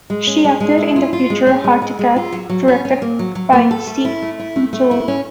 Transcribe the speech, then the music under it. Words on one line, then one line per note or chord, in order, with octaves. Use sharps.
She acted in the feature "Hard To Get" directed by Zee Ntuli.
G#3
C#4
G#3
G#3
E4
F4
F4
G#3
C#4
G#3
G#3
G#3
F4
F#3
F#3
C#4
C#4
A#3
F#3
F#3
A#3
A4
A3
E4
A3
E4
A3
A3
E4
C#4